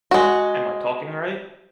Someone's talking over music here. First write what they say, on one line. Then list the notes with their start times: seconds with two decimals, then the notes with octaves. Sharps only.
Am I talking right?
0.11 G#3 F#4